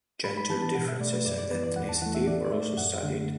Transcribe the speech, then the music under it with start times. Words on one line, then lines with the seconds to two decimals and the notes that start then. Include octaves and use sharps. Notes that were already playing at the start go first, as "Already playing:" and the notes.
Gender differences and ethnicity were also studied.
0.24 A2 B5
0.37 B5
0.50 E3 A5
0.54 B3
0.62 A5
0.75 B2 F#5
0.88 E5
1.01 A3 D5
1.13 B4
1.26 F#2 D5
1.38 D5
1.51 E3 B3 B4
1.63 D5
1.76 E2 F#5
1.89 A5
2.01 E3 F#5
2.06 A3
2.15 E5
2.27 A2 D5
2.45 D5
2.52 A3 E5
2.77 F#2 F#5
3.03 D3 A3